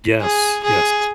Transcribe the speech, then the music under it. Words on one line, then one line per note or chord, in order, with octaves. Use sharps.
Yes, yes.
G#4
G#4